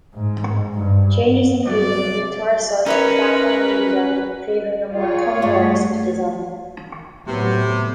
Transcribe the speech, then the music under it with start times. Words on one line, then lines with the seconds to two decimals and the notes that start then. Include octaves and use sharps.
Changes included an entire site and platform redesign, favoring a more Tumblr-esque design.
0.15 G#2
0.75 G2
1.65 G2 C3 F#3 D5
2.86 C#4 D#4 E4 A#4 B4 C#5
4.93 F4 G#4 C#5
5.42 G2 A3 D5
7.27 A2 C3 F#3 B3